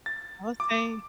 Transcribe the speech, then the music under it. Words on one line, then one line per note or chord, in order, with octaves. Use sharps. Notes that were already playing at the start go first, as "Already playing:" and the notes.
I would say
A6
D6